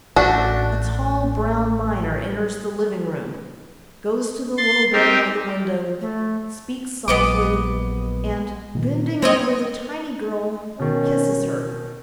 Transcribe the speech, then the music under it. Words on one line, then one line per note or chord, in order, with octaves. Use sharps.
A tall, brown miner enters the living room, goes to the little bed by the window, speaks softly, and, bending over the tiny girl, kisses her.
A1 A3 D4 F#4
C6 A6
C4 D#4 G4 A#4
A3
A#1 F#3 B3 D#5 D6
A#2 D#3
F#3 G#3 A#3 C4 C#5 D#5
B2 D#3 C#4